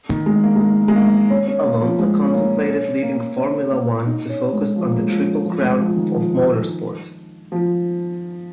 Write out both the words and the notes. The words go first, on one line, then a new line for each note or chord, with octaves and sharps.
Alonso contemplated leaving Formula One to focus on the Triple Crown of Motorsport.
D#3
G#3
A#3
G#3
A#3
G#3
A#3
C#4
C#4
A#3
F3
G#3
C#4
A#3
C#4
A#3
C#4
A#3
D#4
C#4
G#3
F3
A#3
G#3
F3
F3
G#3
F3
D#3
F3
F3